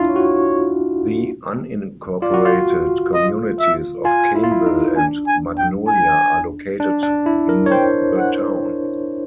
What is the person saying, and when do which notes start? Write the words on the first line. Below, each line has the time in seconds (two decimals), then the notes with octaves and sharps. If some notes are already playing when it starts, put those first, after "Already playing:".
The unincorporated communities of Cainville and Magnolia are located in the town.
Already playing: D4 E4 F4
0.08 C#5
0.16 F#4
2.22 F4 D5
2.34 F#4
2.46 F4
3.14 D#5
3.60 E5
4.05 F4 G#5
4.35 E4
4.44 F4
4.51 E4
4.66 D#4
4.97 D4 G#5
5.27 G#5
5.58 G5
5.88 G#5
6.80 D4
7.03 D4
7.26 E4
7.49 A#4
7.66 C#5
7.71 C5 G5
8.18 F#5